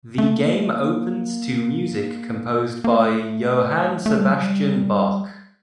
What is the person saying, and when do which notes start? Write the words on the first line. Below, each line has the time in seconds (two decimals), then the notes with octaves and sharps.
The game opens to music composed by Johann Sebastian Bach.
0.18 A3
0.36 A#3
0.55 A3
0.73 A#3
2.84 A#3
2.95 A3
4.06 A3
4.17 G3
4.30 F#3
4.41 G3